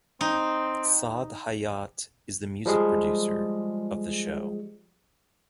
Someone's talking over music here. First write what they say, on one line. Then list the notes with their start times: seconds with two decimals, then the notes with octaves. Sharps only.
Saad Hayat is the music producer of the show.
0.21 C4 D#4
2.66 F3 G3 G#3 G#4